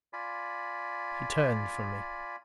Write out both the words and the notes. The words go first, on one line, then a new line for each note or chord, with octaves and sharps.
She turned from me.
F4 D5 G#5 B5